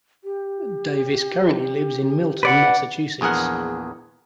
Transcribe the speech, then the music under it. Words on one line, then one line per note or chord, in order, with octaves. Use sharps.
Davis currently lives in Milton, Massachusetts.
G4
B4 D5 F#5
A#1 E2 G#4 A#4 F#5